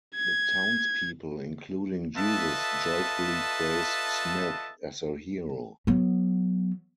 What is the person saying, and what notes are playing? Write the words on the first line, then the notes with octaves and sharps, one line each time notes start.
The townspeople, including Jesus, joyfully praise Smith as a hero.
G#6
F4 A4 B4 D#5 E5 A5
F#3 B3